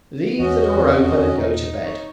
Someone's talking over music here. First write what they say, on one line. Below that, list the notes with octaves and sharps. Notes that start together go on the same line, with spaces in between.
Leave the door open, and go to bed.
E2 E3 C#4 F#4 D#5
F2
D#4
C#5